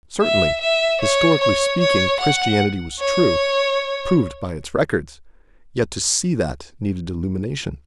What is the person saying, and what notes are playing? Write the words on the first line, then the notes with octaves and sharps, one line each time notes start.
Certainly, historically speaking, Christianity was true--proved by its records--yet to see that needed illumination.
E5
E5
C#5
C#5
C#5
F#5
C#5